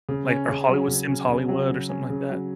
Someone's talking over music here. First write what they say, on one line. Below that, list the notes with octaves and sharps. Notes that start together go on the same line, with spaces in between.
Like a Hollywood Sims Hollywood or something like that?
C#3
C#4
C#3
F#3
C#3
C#4
C#3
F#3
C#3
C#4
C#3
F#3